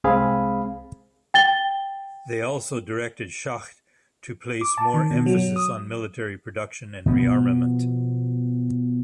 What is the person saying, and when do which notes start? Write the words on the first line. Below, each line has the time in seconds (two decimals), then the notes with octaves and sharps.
They also directed Schacht to place more emphasis on military production and rearmament.
0.04 C2 G#3 C4 G#4 F5 B5
1.34 G5 A6 G7
4.61 D6
4.78 A5
4.94 D#3
5.10 B2
5.26 F#3
5.56 D#6
7.06 B2 F3 B3